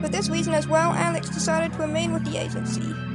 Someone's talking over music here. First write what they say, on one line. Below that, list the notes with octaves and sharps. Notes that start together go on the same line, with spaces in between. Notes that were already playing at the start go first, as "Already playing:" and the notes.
For this reason as well, Alex decided to remain with the Agency.
Already playing: E2 C#3 F3 G#3 D#6
G6
G#6
E2 B2 F#3 A3
G6
E6